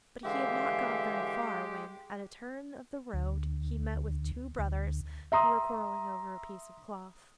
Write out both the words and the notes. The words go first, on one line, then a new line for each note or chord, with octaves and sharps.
But he had not gone very far when, at a turn of the road, he met with two brothers, who were quarrelling over a piece of cloth.
D3 E3 G#3 G4 E5 F5
D2
D2
E5 A#5 C6 D#6